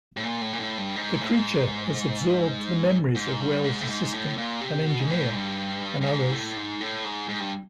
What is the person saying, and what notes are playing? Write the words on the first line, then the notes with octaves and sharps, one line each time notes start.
The creature has absorbed the memories of Wells' assistant, an engineer, and others.
A2
A#2
A2
A#2
A2
G2
G#2
A2
G#2
G#2
G2
G#2
A2
G#2
A2
A#2
C3
B2
G#2
A2
G#2
G2
G2
G#2
A2
G#2
A2
G#2
G#2
G2